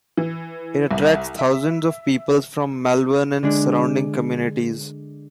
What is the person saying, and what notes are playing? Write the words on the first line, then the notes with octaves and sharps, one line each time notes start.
It attracts thousands of people from Malverne and surrounding communities.
E3
C2
E5
D3 G#3 D4